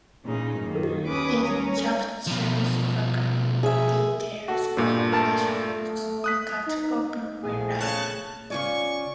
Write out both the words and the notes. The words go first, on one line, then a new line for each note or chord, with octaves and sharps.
It captures macro details of fresh fruit cut open when ripe.
A#2 C#3 E3 D#4
F#2 D#3 A#3
D#2 C#4 B4 D6 D#6
C#4 C#5 A#5
B2 F3
G#4 E5
F#4 A4
G2 A#2
A3 A#4 A5
D#6 F#6 B6
D#4
A#1 E2 A#2 A3 G#4
C#3 A5 C#6 F#6
C#3 F4 D5 G#5 C#6